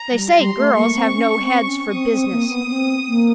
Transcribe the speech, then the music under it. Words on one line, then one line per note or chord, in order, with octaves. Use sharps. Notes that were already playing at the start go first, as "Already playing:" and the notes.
They say girls have no heads for business.
Already playing: A#5
G3
G3 C6
A3
A#3 C#6
C4
C#4
C4
C#4
C4 D#6
C4
A#3
B3
C4
A#3